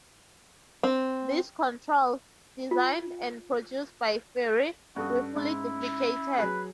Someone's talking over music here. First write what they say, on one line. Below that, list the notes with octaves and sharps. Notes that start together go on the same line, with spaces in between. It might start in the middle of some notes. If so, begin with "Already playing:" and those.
These controls, designed and produced by Fairey, were fully duplicated.
C4
F4
G2 C#4 F#4 A4 D#6
G#2 E4
F#3 G#4 B4